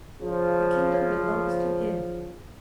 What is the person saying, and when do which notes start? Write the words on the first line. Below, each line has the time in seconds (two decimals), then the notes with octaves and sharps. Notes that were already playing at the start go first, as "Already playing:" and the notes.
"The kingdom belongs to him."
0.21 C#3 F3